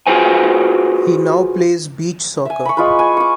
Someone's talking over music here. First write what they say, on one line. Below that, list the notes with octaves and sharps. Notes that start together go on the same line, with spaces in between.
He now plays beach soccer.
F4 F#4 G#4 B4 C5 G#5
E5 G#5
B5 C#6
G#3 F4 B4
G#5
C#6 D6